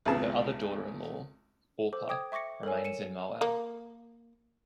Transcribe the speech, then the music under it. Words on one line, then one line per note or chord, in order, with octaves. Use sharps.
Her other daughter-in-law, Orpah, remains in Moab.
G#1 C#2 C3 B3 G#4 A5
A4 C5 D6
G5 D6 D#6 G#6
E5 C#6 D6 A#6 C#7
A4 A#4 C#5 G#5
C#7 D#7 E7
A#3